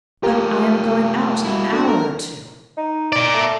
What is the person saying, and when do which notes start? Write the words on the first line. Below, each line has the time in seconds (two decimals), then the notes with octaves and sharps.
But I am going out in an hour or two.'
0.23 A3 F4 G4 A#4
1.45 E4 F#4
1.73 D4 F#4 A4
1.88 A#4
2.77 D#4
3.12 A#4 D5
3.34 A3